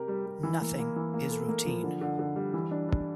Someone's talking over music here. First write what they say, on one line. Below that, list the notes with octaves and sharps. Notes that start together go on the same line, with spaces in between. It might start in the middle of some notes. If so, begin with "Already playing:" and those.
Nothing is routine.
Already playing: C3 G4 A#4
G3
G3
E3
A#3
A#3
E3
A#3
A4
A#3
F3
D3
D3
D3
G3
E3
D4
D4